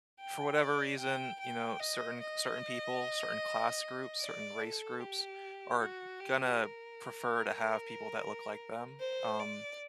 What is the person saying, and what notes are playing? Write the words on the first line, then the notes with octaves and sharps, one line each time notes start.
for whatever reason, you know, certain certain people, certain class groups, certain race groups are gonna prefer to have people that look like them. Um,
G5
D5
G5
G5
D#5
D#5
D5
A4
G4
F#4
G4
A#4
C5
D5